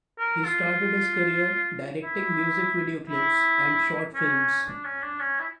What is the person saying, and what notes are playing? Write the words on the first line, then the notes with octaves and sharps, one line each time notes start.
He started his career directing music videoclips and short films.
A#4
F4
E4
E4
C#4
D4
C#4
D4
C#4
E4